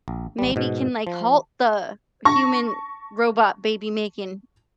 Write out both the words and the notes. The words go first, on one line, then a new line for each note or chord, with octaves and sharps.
maybe can, like, halt the human robot baby making,"
A#1
G#1 G3
G#2 B2
F3
A5 C#6 A#6